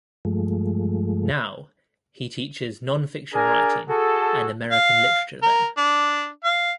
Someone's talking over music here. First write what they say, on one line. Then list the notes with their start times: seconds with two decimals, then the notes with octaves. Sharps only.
Now, he teaches nonfiction writing and American literature there.
0.25 G2 F3 G#3 A3
3.34 D4 G#4 A#4 G#5 A#5
3.89 F#4 G#4 A4
4.72 F5
5.42 A#4
5.77 D4
6.44 F5